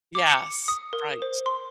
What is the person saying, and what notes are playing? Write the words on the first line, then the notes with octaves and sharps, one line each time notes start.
Yes. Right.
D6
C#7
D#6
A#4
C5
C6